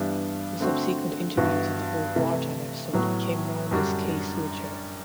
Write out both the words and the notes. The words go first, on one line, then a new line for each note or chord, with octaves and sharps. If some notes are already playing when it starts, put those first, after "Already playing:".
The subsequent interviews and the whole wartime episode became known as "Case Wicher".
Already playing: G2 E3 G3 B3 D4
D3 A3 C4 F#4
G2 E3 B3 F#4
C3 E3 A3
A2 F#3 B3 F#4
F#2 D3 G3 D4 F#4